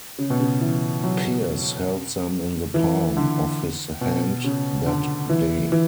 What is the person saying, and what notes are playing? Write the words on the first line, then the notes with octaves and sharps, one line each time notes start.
Pierce held them in the palm of his hand that day.
C#3
B2
C#3
E3
F#3
E3
D3
B2
C#3
D3
E3
E3